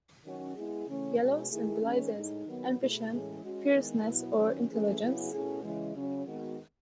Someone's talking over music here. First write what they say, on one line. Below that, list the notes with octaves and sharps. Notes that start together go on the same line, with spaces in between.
Yellow symbolizes ambition, fierceness, or intelligence.
D#3 F#3 C#4 F#4
G#3 B3 E4 G#4
C#3 E3 A3 C#4
B2 G#3 C#4
D#3 A3 E4 G#4
D#3 G#3 C#4
A2 G#3 D#4
D#3 F#3 B3
B2 A3 E4 G#4
A2 E3 G#3 C#4 G#4
G#3 C#4 F#4
D#3 G#3 B3 E4 G#4
B2 F#3 B3 E4
D#3 F#3 C#4
E3 A3 C#4 G#4
C#3 F#3 B3 E4 G#4
B2 A3 C#4 E4 G#4
C#3 E3 G#3
C#3 F#3 C#4
D#3 G#3 B3 F#4